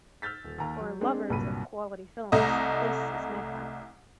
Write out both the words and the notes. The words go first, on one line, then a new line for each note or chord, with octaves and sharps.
For lovers of quality films, this is Mecca.
E6 F6 G6 A6 B6
D#1
D#2 A#5
F#3
G#3 C4 D4 G#4
C2 G2 A#2 F#3 B5 D#7
C2 A3 D#5